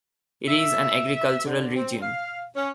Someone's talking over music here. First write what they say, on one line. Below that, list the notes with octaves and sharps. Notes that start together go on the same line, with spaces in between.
It is an agricultural region.
E5
D3
C4
F5
C#4